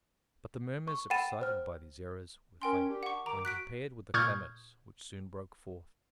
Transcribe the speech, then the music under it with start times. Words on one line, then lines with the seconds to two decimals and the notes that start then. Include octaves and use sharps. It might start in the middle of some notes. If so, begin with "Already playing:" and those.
But the murmurs excited by these errors were faint, when compared with the clamours which soon broke forth.
0.88 C#6
1.10 F#5 G5 B5 A6 D#7 E7
1.41 C5 F6
2.62 C#4 A#4 G5 C6
2.88 D4 G4
3.03 F#5 C#6
3.26 D#3 A#5 D6
3.45 F#4 F#6 B6 D7
4.14 A#2 C#6 D#6 F6 G6 G#6